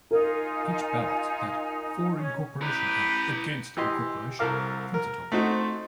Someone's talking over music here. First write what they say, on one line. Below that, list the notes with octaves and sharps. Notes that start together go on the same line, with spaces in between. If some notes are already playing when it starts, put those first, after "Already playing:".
Each ballot had "For incorporation" and "Against incorporation" printed on them.
D#4 F4 A#4 G#5
C#4
E4 G4 B4 A#5
E3 G4 D#5 C6
C2 A4 A#4 F5 D6
A#4
A3 C4 D#4 F#4 C5